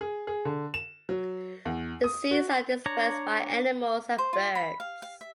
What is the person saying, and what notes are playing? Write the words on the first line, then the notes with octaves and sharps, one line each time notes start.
The seeds are dispersed by animals and birds.
G#4
G#4
D3
E7
F#3
E2
D#6
F#4
D4 C#5 A#5
C5
F4
B5
F5
F5
E5